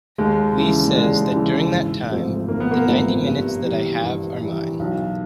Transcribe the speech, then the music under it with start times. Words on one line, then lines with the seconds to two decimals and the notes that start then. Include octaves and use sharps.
Li says that during that time, '...the ninety minutes that I have are mine.
0.18 D#2 G#3
0.57 C#3 E3
0.87 G3
0.96 D#2 G#3
1.33 C#3 E3
1.72 G#1
2.10 G#2 F3 A3 C4
2.48 G#1 A#3
2.60 B3
2.71 A#3
2.88 G#2 F3 A3 C4
3.26 G2
3.64 E3 G3
4.02 G2
4.41 E3 G3
4.80 B1